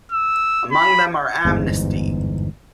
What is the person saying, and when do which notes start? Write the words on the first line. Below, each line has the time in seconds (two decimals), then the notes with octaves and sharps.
Among them are Amnesty!
0.12 E6
0.72 B5
1.45 G1 E2 G#2